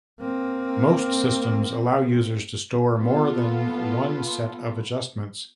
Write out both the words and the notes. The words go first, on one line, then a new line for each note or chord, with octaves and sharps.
Most systems allow users to store more than one set of adjustments.
A#3 C4
A#3 B3 F4 A4